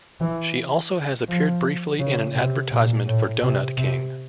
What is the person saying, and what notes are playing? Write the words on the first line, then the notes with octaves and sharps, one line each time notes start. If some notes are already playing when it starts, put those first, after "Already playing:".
She also has appeared briefly in an advertisement for Donut King.
E3
F3
C#3
C3
A#2
A2
C3
C3